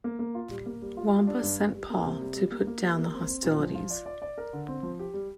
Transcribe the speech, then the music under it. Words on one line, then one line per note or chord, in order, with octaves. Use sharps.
Wamba sent Paul to put down the hostilities.
A#3
A#3
F4
G3
A#3
G3
F4
G3
D4
G2
G3
G3
A#3
C3
G3
G3
A#3
A#3
G3
A#3
C4
C4
A#2
F3
F4
D5
D5
D5
A#4
D3
C4
F3
G4
G3